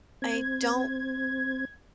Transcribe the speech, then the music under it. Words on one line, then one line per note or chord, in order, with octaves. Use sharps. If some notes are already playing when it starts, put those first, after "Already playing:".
I don't
C4 G#6